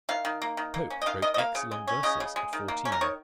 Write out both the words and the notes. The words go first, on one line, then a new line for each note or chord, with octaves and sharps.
Pope wrote excellent verses at fourteen.
D#3 F5
D#3
A#3
D#3
A#3
C#4
D#5
D#3 F5
D#3 D#5
D#5
A#3 F5
C#3
G#3
C#4
C#3 D#5
C#3
G#3
D#3
A#3
C#4
A#4
D#3 C#5